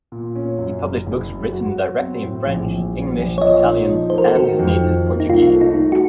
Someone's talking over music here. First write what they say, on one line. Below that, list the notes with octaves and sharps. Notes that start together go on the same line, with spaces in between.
He published books written directly in French, English, Italian, and his native Portuguese.
A#2
C#4
F#2
F#1
F#1
F#2
F#4
F#3
C4
A2
A#1
A#1
A#1
A#1
C#5
A#2 D#5
D#4
F3
A3 C5
A#4
A4
D#3 F#4
F2
D#3
A#3
D#4
C2 F4
A3
D#4
A3
F#4